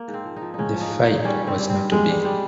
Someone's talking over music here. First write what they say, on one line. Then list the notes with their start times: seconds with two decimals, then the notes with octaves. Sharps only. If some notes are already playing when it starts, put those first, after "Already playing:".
The fight was not to be.
Already playing: A#3
0.08 G#2
0.14 C4
0.25 F3
0.36 D#4
0.41 F3
0.54 G#2 C#4 D#4
0.75 F3
0.81 D#4
0.91 G#2
1.03 D#4
1.08 G#2
1.25 G3 C#4
1.41 G2
1.47 C4
1.59 G3
1.70 C4
1.76 G2
1.91 G2 G#3
2.09 G3
2.25 G3